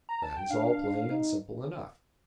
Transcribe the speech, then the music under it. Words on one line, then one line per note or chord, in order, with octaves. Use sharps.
That is all plain and simple enough.
A#5
A5
G5
D4 F5
D#4